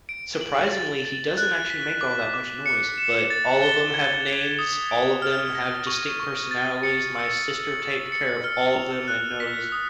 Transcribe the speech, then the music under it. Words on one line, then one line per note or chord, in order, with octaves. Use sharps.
Surprisingly, he doesn't actually make all that much noise, but all of 'em have names, all of them have distinct personalities, my sister take care of all of them and knows
D7
F#7
A6
A6
F#6
B6
D6
D6
C#7
E7
A6
G7
G#6
B6
D#6
D7
F6
A#6
C#6
C#6
A6
C#7
E6
F#7
A6
C#7
F6
F7
F#6
B6
D#6